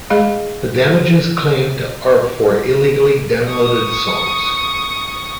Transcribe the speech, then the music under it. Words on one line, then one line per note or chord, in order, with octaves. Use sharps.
The damages claimed are for illegally downloaded songs.
G#3 G#4 D#5 F5 B5
C#6 D#6